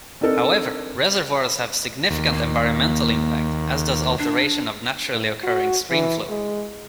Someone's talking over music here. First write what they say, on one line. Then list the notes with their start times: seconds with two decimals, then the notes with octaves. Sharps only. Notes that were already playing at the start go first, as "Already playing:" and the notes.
However reservoirs have significant environmental impact, as does alteration of naturally occurring stream flow.
0.21 C4 D4 D#4 A4 A#4
2.10 D#2
2.33 A#3
4.19 D4
5.13 A2
5.44 F#4
5.90 E3
6.30 G#3